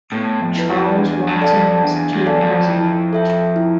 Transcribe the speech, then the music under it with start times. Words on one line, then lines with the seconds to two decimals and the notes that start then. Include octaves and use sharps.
Charles Watson was team president.
0.12 A2 B3
0.41 F2
0.55 E4 B4
0.70 F2
0.98 E2 D4
1.27 F2
1.41 A4 D5 F5 A5
1.55 F2
1.84 E2 D4
2.12 E2
2.26 A4 D5 F5 A5
2.41 F2
2.69 E4
3.13 A4 E5 G5
3.56 E4